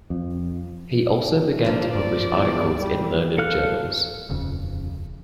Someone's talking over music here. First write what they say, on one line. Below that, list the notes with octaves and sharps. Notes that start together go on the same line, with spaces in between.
He also began to publish articles in learned journals.
F2
D3 F3 A#3 D4
D5
E2
G3
A4 F5 F6 F#6
D#1 F2 C#3